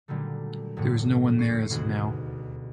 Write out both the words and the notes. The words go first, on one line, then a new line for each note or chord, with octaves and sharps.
There is no one there as of now.
A#2 D3 F#3 G3 A3
E1 A2 D3 C#6
C#6 C7 C#7
D#1 D2 B2 F#4 G#4 F#5